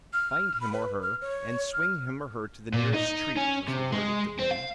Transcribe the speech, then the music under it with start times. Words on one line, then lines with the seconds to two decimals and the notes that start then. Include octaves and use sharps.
"Find him or her, and swing him or her to the nearest tree," was the verdict of many.
0.13 F6
0.61 B5
0.73 B4
1.02 F6
1.21 C#5
1.73 F6
2.73 A#2
2.94 D#4
3.37 C#4
3.68 C3
3.92 G#3
4.39 C4
4.51 F5